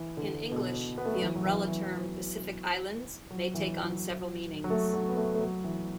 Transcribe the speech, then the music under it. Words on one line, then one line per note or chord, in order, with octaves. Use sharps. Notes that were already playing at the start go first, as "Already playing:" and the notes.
In English, the umbrella term "Pacific Islands" may take on several meanings.
Already playing: E3
D3
B2
B3
A3
F#3
E3
F#3
E3
E3
F#3
E3
F#3
F#3
A3
F#3
B3
A3
A3
F#3
E3